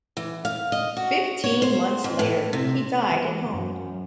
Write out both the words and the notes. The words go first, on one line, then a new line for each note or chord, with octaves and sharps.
Fifteen months later, he died at home.
E3
F5
D#5
F#4
C#5
C5
F2
A2
C3
E3
F#2